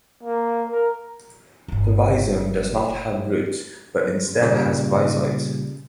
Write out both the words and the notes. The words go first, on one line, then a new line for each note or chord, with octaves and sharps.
The rhizome does not have roots but instead has rhizoids.
A#3
A#4
D1 G1
A#2 C#3 G3